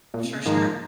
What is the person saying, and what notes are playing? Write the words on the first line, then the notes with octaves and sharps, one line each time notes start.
For sure.
A#2
C3
C#3
G#2 D#3 F3 A#3